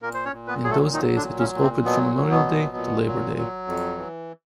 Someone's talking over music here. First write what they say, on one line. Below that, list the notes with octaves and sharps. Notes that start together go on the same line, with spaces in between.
In those days, it was open from Memorial Day to Labor Day.
A#2 A#3 A#4
C5
C#4 C#5
A#2
B3 B4
F#3 G#4
A3 A4
D#3 F#3 D#4
D3 D4
A#2
C#3 C#4
A#2
C3 C4
B2 F#3 B3
F#3
B2 B3
A#2
A#2
F#3
F#3
F2
E3